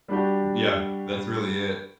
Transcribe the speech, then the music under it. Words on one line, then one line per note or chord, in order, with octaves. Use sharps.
Yeah, that's really it.
G3 D4 F#4 G4